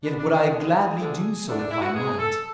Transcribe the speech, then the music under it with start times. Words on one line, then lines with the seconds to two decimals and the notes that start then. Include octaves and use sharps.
Yet would I gladly do so, if I might.
0.01 D2 D3 G#3 B3 D4
0.18 D4
0.34 D4
0.49 D2 D3 G#3 B3 G#4
0.98 D2 D3 A3 D4
1.46 D2 D3 A3 D4
1.58 D4
1.70 E4
1.81 F#4
1.93 G#2 G#3 B3 G#4
2.19 A4